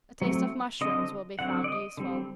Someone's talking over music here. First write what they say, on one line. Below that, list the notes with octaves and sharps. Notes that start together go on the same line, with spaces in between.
A taste of mushrooms will be found useful.
F#3 A3 C4
D3 F#3 C4 D#5
D3 F#3 C4 F#5
D5
D#5
D3 G3 C4